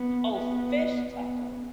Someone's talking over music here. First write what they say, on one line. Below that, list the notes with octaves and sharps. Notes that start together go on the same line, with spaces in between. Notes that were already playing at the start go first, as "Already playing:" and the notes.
Oh, fish taco.
Already playing: B3
B3
B3